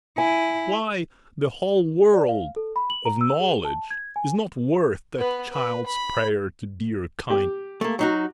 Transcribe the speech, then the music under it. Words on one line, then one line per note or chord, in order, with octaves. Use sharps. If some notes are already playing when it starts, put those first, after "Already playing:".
Why, the whole world of knowledge is not worth that child's prayer to 'dear, kind God'!
E4 G#5
D5
F5
A4
B5
F#7
A#5
E6
G#4
A5
G#6
G#5
B3 B4
B4
B5
G4
A3 A#3
F#3 D#4 F#4